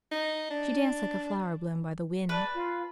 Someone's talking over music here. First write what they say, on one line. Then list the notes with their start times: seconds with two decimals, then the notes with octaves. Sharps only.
She danced like a flower blown by the wind.
0.12 D#4
0.50 D4
2.29 B4 D5 A5
2.52 F4